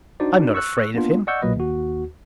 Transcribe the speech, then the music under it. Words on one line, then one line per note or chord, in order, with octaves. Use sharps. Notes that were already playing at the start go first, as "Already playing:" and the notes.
"I am not afraid of him."
D4 D#4 F#4 C5 D5
C#6 E6 F#6
A#3 B3 D4 F4
D5 D#5 F#5 C#6 E6 G6
B1 A#2 F#3 A#3 B4 D#5
D#2 F#4